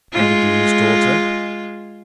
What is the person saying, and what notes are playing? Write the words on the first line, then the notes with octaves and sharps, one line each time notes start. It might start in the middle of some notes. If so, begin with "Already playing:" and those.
"And the Dean's daughter?"
G#3 F4